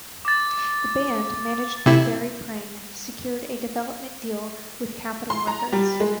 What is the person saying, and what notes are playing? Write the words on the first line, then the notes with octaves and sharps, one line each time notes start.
The band, managed by Gary Pring, secured a development deal with Capitol Records.
D6 A6
C3 E4
C6
A#5
G3
G#3